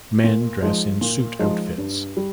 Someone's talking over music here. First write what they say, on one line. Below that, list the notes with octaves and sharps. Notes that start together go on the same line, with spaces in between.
Men dress in suit outfits.
A#2
F3 G#3 D#4
A#2
F3 G#3 D#4
G2
G3